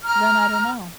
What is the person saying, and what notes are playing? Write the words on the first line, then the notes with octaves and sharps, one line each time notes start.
Then I don't know,
A#5 F6